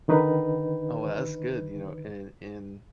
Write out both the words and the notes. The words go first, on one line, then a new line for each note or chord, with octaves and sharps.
Oh well, that's good, you know, and and,
D3 D#3 D#4 B4